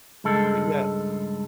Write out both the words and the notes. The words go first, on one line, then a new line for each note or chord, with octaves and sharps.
But yeah
C#2 G2 G#3 A4